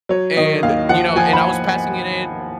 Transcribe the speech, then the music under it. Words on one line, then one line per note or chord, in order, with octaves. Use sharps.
And, you know and I was passing it in
F#3 C#5
D#3 D#5
D#2 F5
F3 F#5
F3 G#5
B5